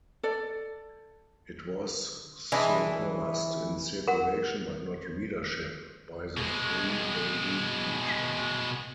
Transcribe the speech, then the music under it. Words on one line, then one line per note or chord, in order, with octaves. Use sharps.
It was surpassed in circulation, but not readership, by the free daily "Metro".
A4 D5
E3 G#3 D4 G#4
A#4 F#5
B2 G#3